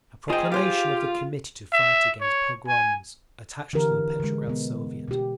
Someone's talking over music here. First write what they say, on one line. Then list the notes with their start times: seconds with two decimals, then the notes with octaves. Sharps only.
A proclamation of the Committee to Fight against Pogroms, attached to the Petrograd Soviet.
0.30 F4 G#4 C5 D#5 G5
0.52 F4 G4 G#4 C5 F5
1.72 E5
2.21 C#5
2.68 G#5
3.73 D3 E3 D4 G4 A#4
4.20 D3 G#3
4.47 B2 B3
5.08 B2 G4